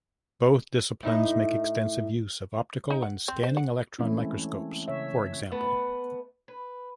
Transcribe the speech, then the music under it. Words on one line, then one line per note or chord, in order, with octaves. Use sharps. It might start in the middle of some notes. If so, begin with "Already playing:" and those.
Both disciplines make extensive use of optical and scanning electron microscopes, for example.
A2 D#4 E4
D#4
F#5
C4
C5
F#5
E3 G#3 A3 C4 C#4 E4
C#3 C#5 E5
A3 B3 B4 D#5
B4